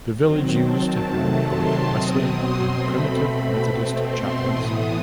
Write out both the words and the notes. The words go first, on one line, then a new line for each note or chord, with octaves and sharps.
The village used to have both Wesleyan and Primitive Methodist Chapels.
D#3 F#3 C4
A5
C3 D#3 F#3 A3 A5
C6
B2 F#3 C4 D#6
C6
B2 A3 C4 B5
B2 A3 C4
C6
A2 E3 B3 D#6